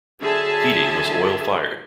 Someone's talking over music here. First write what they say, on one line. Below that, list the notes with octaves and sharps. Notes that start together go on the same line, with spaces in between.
Heating was oil fired.
D3 F#3 G#4 E5 G#5 A5